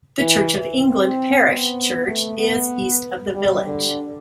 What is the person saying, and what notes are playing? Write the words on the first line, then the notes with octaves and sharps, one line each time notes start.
The Church of England parish church is east of the village.
E3
C4
B3
A3
B3
G3
D3